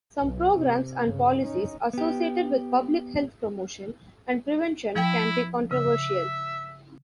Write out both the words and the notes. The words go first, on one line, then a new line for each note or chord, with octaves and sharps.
Some programs and policies associated with public health promotion and prevention can be controversial.
B1
C3
G2 C#3
C#4 D#4
B3 G4
F3 E4 G5
C#3 E5